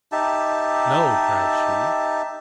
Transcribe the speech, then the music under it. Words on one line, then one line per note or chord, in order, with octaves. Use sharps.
"No!" cried she.
D#4 G4 E5 A5